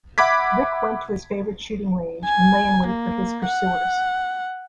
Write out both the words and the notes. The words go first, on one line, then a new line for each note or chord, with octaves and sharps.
Rick went to his favorite shooting range and lay in wait for his pursuers.
E5 F#5 B5 D6 G#6 B6
G#5
A#3
F#5